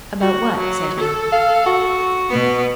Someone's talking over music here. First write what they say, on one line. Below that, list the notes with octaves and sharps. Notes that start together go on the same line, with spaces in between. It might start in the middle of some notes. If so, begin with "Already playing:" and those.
"About what?" said he.
F#4
F#3
A4
F5
F#4
B2 B3